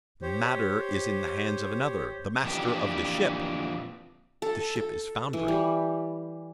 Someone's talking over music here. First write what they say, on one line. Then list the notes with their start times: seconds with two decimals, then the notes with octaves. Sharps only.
The matter is in the hands of another--the Master of the ship. The ship is foundering.
0.22 G4 C5 C#5
2.44 F2 A#2 E3 D4 G4
4.42 A4
4.76 A4
5.33 E3
5.48 G3